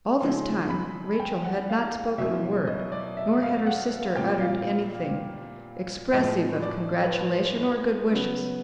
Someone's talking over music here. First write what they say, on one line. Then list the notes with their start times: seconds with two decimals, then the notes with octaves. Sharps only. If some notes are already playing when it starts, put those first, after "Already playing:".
All this time Rachel had not spoken a word, nor had her sister uttered anything expressive of congratulation or good wishes.
0.21 C#3 F3 G#3 C4 D#4 C6
0.70 B5
1.20 G5
1.45 F#5
1.70 F5
2.18 B2 F#3 A#3 C#4 E4 E5
2.67 D#5
2.92 D5
3.17 E5
3.42 F5
3.67 F#5
4.16 A#2 G3 C4 F4 G5
4.41 F5
6.13 A2 F3 G#3 C4 D#5
6.62 D5
7.03 B4
7.12 C5
7.61 B4
8.11 C#3 F#3 B3